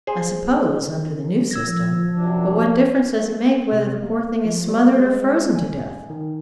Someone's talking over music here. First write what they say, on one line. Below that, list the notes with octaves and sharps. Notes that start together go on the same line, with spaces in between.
I suppose, under the new system, but what difference does it make whether the poor thing is smothered or frozen to death?
G#4 C5
E6 G#6 A#6
F3
F#2 C3 D4
C3
A#3
F3
G3
G#3
G#5
D#3